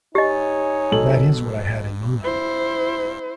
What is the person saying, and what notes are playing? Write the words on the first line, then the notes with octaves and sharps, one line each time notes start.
That is what I had in mind.
D#4 G4 C#5 D#5 G#5
B1 A4 F#7
E4 C5